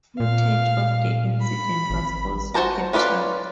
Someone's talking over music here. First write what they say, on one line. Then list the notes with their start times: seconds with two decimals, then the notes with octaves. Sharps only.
Footage of the incident was also captured.
0.20 A#2 F5
1.42 B5
1.90 G#1
2.54 F#4 A4 C5 A5 A#5
2.93 C#4 F4 B4 D5